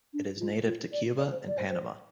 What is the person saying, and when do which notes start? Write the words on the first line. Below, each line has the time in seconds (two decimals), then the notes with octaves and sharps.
It is native to Cuba and Panama.
0.13 D4
0.40 F4
0.66 F4
0.92 D5
1.18 D5
1.31 C5
1.48 D5
1.58 C5
1.70 C5